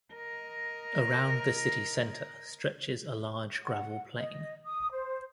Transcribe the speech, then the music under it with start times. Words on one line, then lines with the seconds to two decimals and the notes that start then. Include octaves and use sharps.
Around the city center stretches a large gravel plain.
0.13 A#4 D#5
3.64 F#5
4.16 D#5
4.66 D#6
4.92 C5